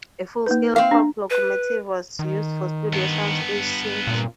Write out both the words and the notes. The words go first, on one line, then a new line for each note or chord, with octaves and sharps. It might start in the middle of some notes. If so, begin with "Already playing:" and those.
A full-scale prop locomotive was used for studio sound stage scenes.
A#3 D#4 B4
C4 F5
D4
B4
D#3
G2 B3
A#2